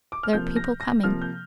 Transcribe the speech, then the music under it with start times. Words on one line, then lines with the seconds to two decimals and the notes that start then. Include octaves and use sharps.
There are people coming....
0.12 D6
0.23 F6
0.33 C3 F3 A#3 G6
0.56 A#6
0.81 A#6
1.04 C3 F3 A#3 F6
1.22 G6